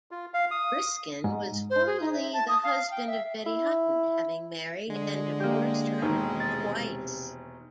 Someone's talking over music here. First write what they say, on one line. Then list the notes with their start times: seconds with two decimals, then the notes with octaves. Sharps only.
Briskin was formerly the husband of Betty Hutton, having married and divorced her twice.
0.11 F4
0.34 F5
0.51 D#6
1.24 G#2
1.70 C5
1.86 G#4
2.01 D#4
2.13 E5
2.33 A5
2.48 D#6
2.63 F5
2.91 G5
3.07 E5
3.46 E4
4.90 D3 G#3
5.40 A#3 G4
6.02 E1 D#3
6.40 C3 A6